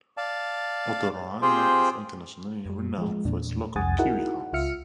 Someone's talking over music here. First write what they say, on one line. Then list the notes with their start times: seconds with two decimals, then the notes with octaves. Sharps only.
Otorohanga is internationally renowned for its local Kiwi House.
0.17 D5 F5 A5
1.42 C4 F4 G4 G#4 C5 G5
2.66 F#2 G3
2.98 F3 G#3
3.25 E2 A#2 D4
3.76 C2 F2 F#5 G#5 D#6 A6
3.98 D#4 E4 F#4 G#4 A#4 F#5
4.53 C#2 F4 E5 F6 C#7